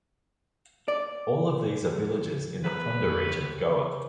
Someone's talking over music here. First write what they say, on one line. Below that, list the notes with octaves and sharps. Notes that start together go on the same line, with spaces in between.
All of these are villages in the Ponda region of Goa.
D5
F3
B3 G#4 B4 A#5
F2
G4 C#5